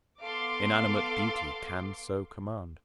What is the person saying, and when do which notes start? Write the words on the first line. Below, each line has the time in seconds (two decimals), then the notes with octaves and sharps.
Inanimate beauty can so command.
0.21 B3 A4 F5 C6 D6